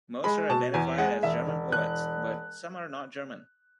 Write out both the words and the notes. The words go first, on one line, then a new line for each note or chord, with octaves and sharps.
Most are identified as "German poets", but some are not German.
G#3 B5
B2 A5
E2 G#5
G#3 F#5
E1 E5
E1
E1 F#6